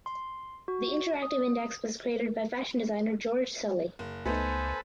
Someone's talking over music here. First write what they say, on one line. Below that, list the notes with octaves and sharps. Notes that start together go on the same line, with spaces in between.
The interactive index was created by fashion designer George Sully.
C6
F#4
D#6
F#1
C#2 A3 B3 D#4 A4 B4 C5 G#5